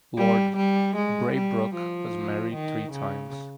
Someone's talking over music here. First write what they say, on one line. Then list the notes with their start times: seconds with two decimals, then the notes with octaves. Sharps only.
Lord Braybrooke was married three times.
0.17 G3
0.56 G3
0.96 G#3
1.34 G3
1.74 F3
2.53 D#3
2.92 C#3